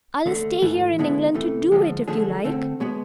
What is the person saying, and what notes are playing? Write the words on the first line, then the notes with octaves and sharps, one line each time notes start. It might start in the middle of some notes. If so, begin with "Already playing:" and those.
I'll stay here in England to do it, if you like.
D2 D3 A3
G#2 E3 A3
D3 G#3 B3 E4
C2 C3 E3 A3
D3 F3 G#3
D3 F3 A3 D4 G#4
D3 A3 C4
B2 G#3 B3